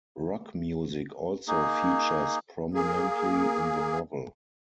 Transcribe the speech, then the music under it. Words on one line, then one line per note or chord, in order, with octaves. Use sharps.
Rock music also features prominently in the novel.
A#3 D#4 G#4
A#3 G#4